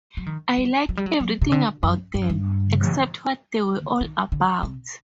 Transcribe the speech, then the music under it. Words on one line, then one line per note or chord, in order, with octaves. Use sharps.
I like everything about them, except what they were all about.
F#3
D#3
G3
F#3
G3
F#3
F#3
C3
D3
F#2
G2
F#2
G2
D#3
D3
C3